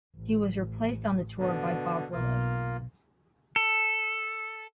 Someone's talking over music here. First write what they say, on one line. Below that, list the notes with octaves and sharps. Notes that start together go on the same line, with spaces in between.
He was replaced on the tour by Bob Willis.
A1
B2 D3
B1 B2 A#3 F4
A4